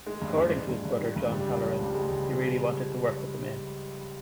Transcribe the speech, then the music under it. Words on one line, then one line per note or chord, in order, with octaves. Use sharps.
According to his brother John Halloran, he really wanted to work with the men.
D#3 G#3
G2
G2
G2
G2
G2
D#3
G2
C#3 G3
C#2
F3
C#2
G3
C#2 G#3
C#2
F3